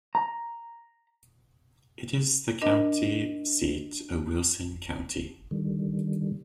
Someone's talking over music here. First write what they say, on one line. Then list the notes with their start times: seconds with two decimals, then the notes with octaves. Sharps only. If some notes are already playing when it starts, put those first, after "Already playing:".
It is the county seat of Wilson County.
0.15 A#5
2.62 D4 A#4 D#5
5.51 D3 D#3 G3